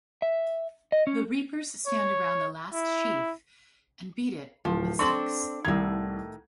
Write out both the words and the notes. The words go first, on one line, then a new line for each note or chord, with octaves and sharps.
The reapers stand around the last sheaf and beat it with sticks.
E5
D#5
C#4
C#5
E4
D1 F3
C4 D4 A4 C#6 F#7
C2 A2 D#3 G#6